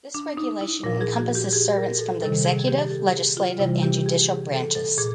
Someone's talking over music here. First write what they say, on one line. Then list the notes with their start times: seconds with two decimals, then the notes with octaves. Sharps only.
This regulation encompasses servants from the executive, legislative and judicial branches.
0.14 D4
0.37 D#4
0.61 E4
0.83 A#2 F3 A#4
1.01 G#4
1.18 F#4
1.35 G4
1.53 G#4
1.76 A#4
1.99 A4
2.22 C3 D#3 G3 A4
2.45 G#4
2.68 G4
2.91 A4
3.14 G#4
3.37 F4
3.60 C3 E3 G3 E4
3.83 G4
4.06 G#4
4.29 G#4
4.52 A4
4.75 A4
4.98 A#2 G#4